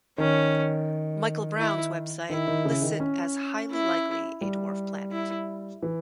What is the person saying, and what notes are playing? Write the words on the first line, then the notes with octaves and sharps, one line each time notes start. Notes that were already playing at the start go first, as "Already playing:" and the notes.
Michael Brown's website lists it as highly likely a dwarf planet.
D#3 C#4
E4
D#3 E4
D#3
C#3
D#3
C#4
E4
G3
E4
E3